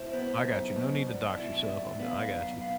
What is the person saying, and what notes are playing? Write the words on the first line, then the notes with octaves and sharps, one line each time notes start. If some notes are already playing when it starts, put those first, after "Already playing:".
I got you, no need to dox yourself, I'm d I got you.
Already playing: B2 E4 C5
B3
B1
B2
B2 D5
E4
B1
B3 F5
B1
B3